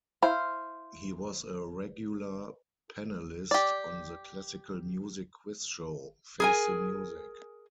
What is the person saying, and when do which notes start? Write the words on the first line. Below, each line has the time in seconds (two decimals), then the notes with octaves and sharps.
He was a regular panellist on the classical music quiz show "Face the Music".
0.22 E4 C5 F5
3.51 G4 D5
6.40 G#4 A#4 G#5